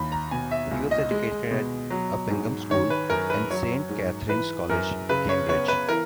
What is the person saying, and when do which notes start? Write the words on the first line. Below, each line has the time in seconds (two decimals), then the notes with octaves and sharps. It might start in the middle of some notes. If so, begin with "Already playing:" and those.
He was educated at Uppingham School and Saint Catharine's College, Cambridge.
Already playing: D#2 B5
0.12 A#5
0.31 B2 G#5
0.51 E5
0.71 C#2
0.91 D#5
1.11 G#3
1.51 B2
1.90 F#3
2.30 G#2
2.70 D#3 C#5
2.90 B4
3.10 F#2 A#4
3.30 B4
3.50 F#3 C#5
3.89 G#2
4.29 E3 B4
4.70 F#2 A#4
5.09 C#3 B4
5.29 C#5
5.48 B3 C#5
5.68 B4
5.88 E3 A#4